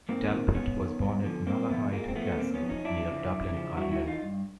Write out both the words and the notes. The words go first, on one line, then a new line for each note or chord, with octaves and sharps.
Talbot was born at Malahide Castle near Dublin, Ireland.
G#2 A#3 C4
D#3
G#2 B3 C#4
D#3
G2
D3 F3
G2 A#3 C4
D3 F3 A3 B3
A#2 G#3 A#3
C4
F3 A3 B3
A#2 A#3 C4
B3 C#4
F3
C#4 D#4
F#2 D4 E4
C#3 F3
F#2
C#3 F3
G2 E4 F#4
E4 F#4
E3
D#4 F4
G2